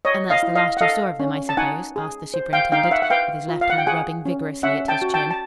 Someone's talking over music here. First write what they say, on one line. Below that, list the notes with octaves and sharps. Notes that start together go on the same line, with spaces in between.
"And that's the last you saw of them, I suppose?" asked the superintendent, with his left hand rubbing vigorously at his chin.
C#5 D#5
D#5 F5
E4
D#5 F5
F#5
A4 D#5 F5
C#4
A5
D#4 F#5 G#5
G#4
C5
F5 G5
D#4 F5 G5
F5
E5 F#5
F#5
B4 F5 G5
F4
F5
F#5
G5
G#4 F#5 G#5
C#4
C#4 E5 F#5
G5 A5
F#4
G5 A5
A5